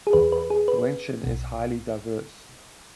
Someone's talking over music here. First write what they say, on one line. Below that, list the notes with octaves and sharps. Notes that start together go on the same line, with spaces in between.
Wenshan is highly diverse.
G#4
E2 E3 B4
B4
G#4
B4
B1 B2